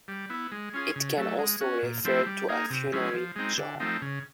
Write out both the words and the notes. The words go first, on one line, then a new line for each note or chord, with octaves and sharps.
It can also refer to a funerary jar.
G3
B3 E4
G#3
C#4 F4 G#4
C#3
F#3 A3
G#3
C#4 F#4
A#2
F3 A3 C4 E4
G3
A#3 D#4 G#4
C3
F3 G#3 C#4 E4
F3
G#3 C4 D#4
D3
F3 A3 C4 D#4
C#3